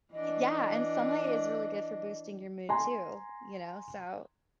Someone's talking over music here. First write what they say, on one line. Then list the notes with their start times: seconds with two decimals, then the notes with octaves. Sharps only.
Yeah, and sunlight is really good for boosting your mood too, you know, so
0.13 E3 D4 D#5
2.69 G#5 A#5 C6